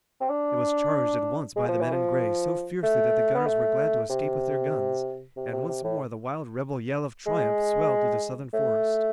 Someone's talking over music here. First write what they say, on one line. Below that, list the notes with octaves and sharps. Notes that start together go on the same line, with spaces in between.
It was charged at once by the men in gray so fiercely that the gunners were glad to escape with their guns, and once more the wild rebel yell of triumph swelled through the southern forest.
C4
D4
G#3
F3
E3
F3
A3
B3
A3
C3
C3
C3
C3
A2
G#3
A3